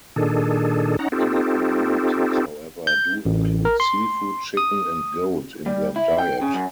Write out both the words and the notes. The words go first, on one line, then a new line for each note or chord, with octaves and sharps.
Many communities, however, do include seafood, chicken, and goat in their diet.
A#2 D#3 D4 G#4 A4
C#4 D#4 F#5 A#5
C4 D#4 F4 G4 A4
G6
A1
A#4
C6
D#6
G3
E4
G5
C#3
F#2